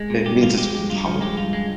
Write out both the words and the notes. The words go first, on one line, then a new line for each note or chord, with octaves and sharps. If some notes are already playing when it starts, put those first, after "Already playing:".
It means it's public,
Already playing: G#3
A#2
G2 G4
F3 F4
G#3 G4
G2 G4
G2 F4
F3 C#4
G#3 G4
G2 F4
G#3